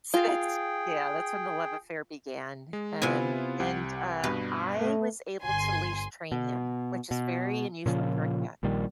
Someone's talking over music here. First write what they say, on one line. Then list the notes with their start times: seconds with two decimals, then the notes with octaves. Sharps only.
So that's Yeah, that's when the love affair began, and and, uh, I was able to leash train him, which is very unusual for a cat.
0.14 F4 G#4 G5
2.73 G#3
3.02 C3 B3 E4 F4 G#5
3.60 C2 G4 F#5
4.24 G2 B2 B4
4.80 A3
5.44 G1 G#5 C6
6.32 B2
7.11 B2
7.86 A#2 C#3 F3
8.63 A#1 A#2 D#3 G3